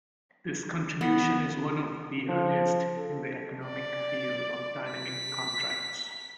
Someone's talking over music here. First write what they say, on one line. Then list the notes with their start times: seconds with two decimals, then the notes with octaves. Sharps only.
This contribution is one of the earliest in the economic field of dynamic contracts.
1.01 B3
2.29 F3
2.97 A4
3.66 D5
4.92 B6